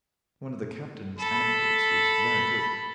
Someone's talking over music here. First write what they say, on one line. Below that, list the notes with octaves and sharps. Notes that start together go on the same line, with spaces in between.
One of the Captain's anecdotes was very good.
A4 B5